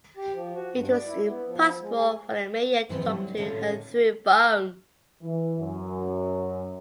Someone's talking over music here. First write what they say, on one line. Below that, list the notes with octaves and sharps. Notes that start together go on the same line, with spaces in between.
It was impossible for the media to talk to her through phone.
G4
F3
F#4
G2
D5
E4
B3
F3
G#3
G#4
G#2 C3 E3 F3 B3 D#4
D3 F#3 G3 E4
A2 D3 D#3 C#4 F4 A4
E3
F#2